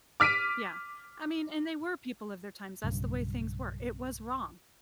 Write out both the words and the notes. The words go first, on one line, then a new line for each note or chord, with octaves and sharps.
yeah, I mean, and they were people of their times, that's the way things were. It was wrong.
D6 F6 B6 D7 D#7
B1 G2 C#3